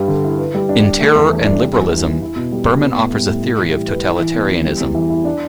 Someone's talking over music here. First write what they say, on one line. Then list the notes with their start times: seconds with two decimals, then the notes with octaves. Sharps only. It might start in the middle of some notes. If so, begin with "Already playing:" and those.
In "Terror and Liberalism", Berman offers a theory of totalitarianism.
Already playing: G2 G3
0.08 D3
0.24 E4
0.39 B4
0.55 G3
0.69 D4
0.84 G3
1.00 A3
1.15 E2
1.30 E3
1.45 D4
1.61 G3
1.76 E2
1.90 E3
2.06 E2
2.22 E4
2.36 B2
2.52 G3
2.66 B2
2.82 B3
2.97 A2
3.13 G3
3.28 A2
3.42 E4
3.59 E3
3.73 G3
3.88 B4
4.04 E4
4.19 E3
4.34 B3
4.49 E3
4.65 G3
4.80 E2
4.94 E3
5.10 E4
5.25 D4